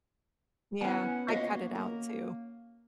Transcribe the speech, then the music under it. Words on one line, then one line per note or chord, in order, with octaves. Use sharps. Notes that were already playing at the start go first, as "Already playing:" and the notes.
Yeah, I cut it out too.
B3 C#4 E4 F#5 G#5
A#3 F#4 C#5 D#5 F5
A#4